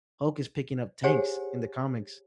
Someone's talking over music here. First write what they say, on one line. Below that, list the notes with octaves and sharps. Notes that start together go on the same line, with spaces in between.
Hulk is picking up tanks in the comics,
G4 G#4 C5 C#5 F#5 G#5